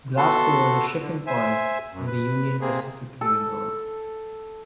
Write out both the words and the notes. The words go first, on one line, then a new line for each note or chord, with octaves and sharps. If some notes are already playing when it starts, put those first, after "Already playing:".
Glasco was a shipping point on the Union Pacific railroad.
B3 F#4 A4 A5 C6
D3
C5 E5 G#5
F#2
B4
C3 A#3 C4 G#4
A4